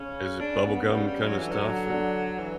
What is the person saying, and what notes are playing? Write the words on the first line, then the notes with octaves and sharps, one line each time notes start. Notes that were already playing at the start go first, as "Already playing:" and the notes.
Is it bubblegum kind of stuff? And
Already playing: C#3 C#4
C#3 D4
B3
G3
G3
F#3
D3 E3
F#3
D3
E3